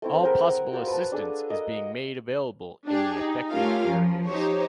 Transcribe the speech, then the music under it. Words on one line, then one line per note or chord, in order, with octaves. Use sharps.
All possible assistance is being made available in the affected areas.
A3 C4 E4
G#4 A#4 F#5 G5
F#4 C5 D5 F5
B4 A5
D4 G#4 A4
A#4 D#5
D4 G4 G#4
D#4
A3 C#4 F4 G4 A#4 F5
F3
D#4 G4 C5 C#5